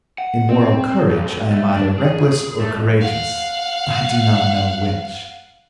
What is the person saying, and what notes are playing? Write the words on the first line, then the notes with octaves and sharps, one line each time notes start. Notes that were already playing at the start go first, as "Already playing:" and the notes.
In moral courage I am either reckless or courageous, I do not know which.
F#5
C4
B1
A3
D4
G#4
A3
F2
F5 F#5